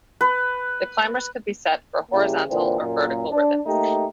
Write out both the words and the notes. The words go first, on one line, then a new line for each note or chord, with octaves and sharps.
The climbers could be set for horizontal or vertical ribbons.
B4
C#3 G3 A#3 E4 G4
A#2 D3 E3 C4 D4
F#2 A#2
D4
A3 A#3 D#4 G4